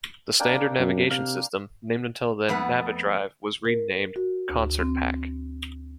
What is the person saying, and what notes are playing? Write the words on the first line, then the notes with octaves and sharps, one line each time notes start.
The standard navigation system, named until then "NaviDrive", was renamed "Concert Pack".
A#3 D4 G5
F#2
C3 F5
F2 A3 B3 B4 F#5
A#4
F#4
D2
C4